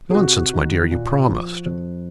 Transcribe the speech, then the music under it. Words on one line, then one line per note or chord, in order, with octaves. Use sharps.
"Nonsense, my dear; you promised."
G#4
C3 F#4
D#3
A#2
F3
F2